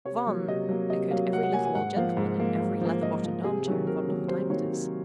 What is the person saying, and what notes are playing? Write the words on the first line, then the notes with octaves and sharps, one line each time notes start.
"Von!" echoed every little old gentleman in every leather-bottomed arm-chair in Vondervotteimittiss.
C3 C#5
F#3 A#3
C3 D#5
F#3 A#3
C3 D#5
F#3 A#3 F5
C3 F#5
F#5
F#3 A#3 G#5
G#5
G#2 F#5
F3 A#3 F5
G#2
F3 A#3
G#2
F3 A#3
G#2 D#5
F3 A#3
C3 G#4
D#3 F#3 A#3
C3 A#4
D#3 F#3 A#3
C3 C5
D#3 F#3 A#3 C#5
C3